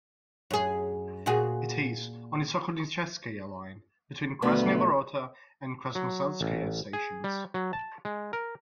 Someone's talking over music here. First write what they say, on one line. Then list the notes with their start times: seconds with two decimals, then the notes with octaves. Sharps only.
It is on the Sokolnicheskaya Line, between Krasnye Vorota and Krasnoselskaya stations.
0.51 F#2 G#4
1.26 A#2 F#4 G#4
4.42 D2 G2 B2 A3 B3
5.95 F#3
6.41 A1
6.93 G#4
7.24 G3
7.54 F#3
7.73 A5
8.05 G#3
8.33 A#4